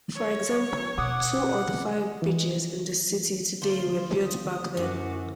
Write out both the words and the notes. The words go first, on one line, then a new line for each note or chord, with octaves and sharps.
For example, two of the five bridges in the city today were built back then.
C#5
B2 F#5 D6 D#6
E3
D2 F4 C5 F5
D#6
F#2 E3 F#4 D6